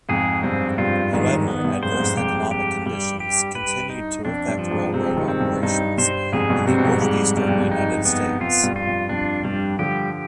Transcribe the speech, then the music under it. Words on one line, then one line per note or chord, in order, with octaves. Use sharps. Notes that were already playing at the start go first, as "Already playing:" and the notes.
However, adverse economic conditions continued to affect railroad operations in the northeastern United States.
F2 G#2 G#4
G2 C4
G2 F4
F2 G#2 D#3
B3
G2
F2 G#2 C5
F2 G#2
F2 G#2 G4
G4
G2 G3
G4
B4
D#4
F2 D4
G2
F3
F2 G#2
G#2 C3 C4
C3 D#3
C4
G2
G2 D#4
G2 C5
F2 G#2 G#4
G2 B2
G#2 C3 C4
B2
F2 G#2
F2 G#2 G3
G2 G3
F2
G2
D#4
B3
F2 F4
G2
F4
F2
F2 D4
G2 G3
D3 F3 G4